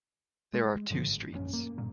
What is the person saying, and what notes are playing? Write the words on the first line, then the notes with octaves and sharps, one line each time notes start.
There are two streets.
G#3
G2 D3 F3
G#1
A#1 F#2 E3 C#4
A#3
G2 A#2 A#3